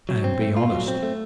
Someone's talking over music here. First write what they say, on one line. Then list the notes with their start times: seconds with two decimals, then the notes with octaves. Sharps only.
Man, be honest.
0.09 F#3
0.24 C4
0.41 A3
0.57 F4
0.71 F#3
0.88 C4
1.03 A3